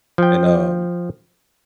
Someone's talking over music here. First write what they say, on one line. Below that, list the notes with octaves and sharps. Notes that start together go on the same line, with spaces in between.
and, um,
F3 G5